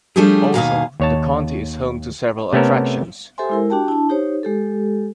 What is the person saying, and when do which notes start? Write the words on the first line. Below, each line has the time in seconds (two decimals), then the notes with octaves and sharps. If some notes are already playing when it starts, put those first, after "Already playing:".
Also, the county is home to several attractions.
0.16 F3 G3 A3 D4 G4 G#4
0.54 D#2 B2 F3 F5 G#5 A#5
1.00 D#2 C#5 A5
2.53 C3 A3 B3 C#4 A4 A#4
3.38 G4 A4 C5 E5 G#5 C6
3.50 G#3 E4 A#4
3.70 D4 F#4 G4 G5 A5
3.88 D4 E4 A5
4.09 D#4 G4 C5 C#5
4.43 G#3 G4 A4